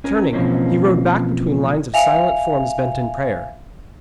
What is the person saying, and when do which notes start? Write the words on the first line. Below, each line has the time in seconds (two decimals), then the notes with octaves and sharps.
Turning, he rode back between lines of silent forms bent in prayer.
0.04 C#4 A#4
0.33 B2 E3 F3 A#3 C4 C#4
1.94 E5 F5 G#5 F7